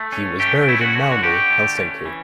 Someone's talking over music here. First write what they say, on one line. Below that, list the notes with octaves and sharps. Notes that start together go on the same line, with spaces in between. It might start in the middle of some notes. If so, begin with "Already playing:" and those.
He was buried in Malmi, Helsinki.
Already playing: A3
C#4
A3 G4
C#4 E4
F#4
D3
F#4
D3 G4
A3
C#4
E3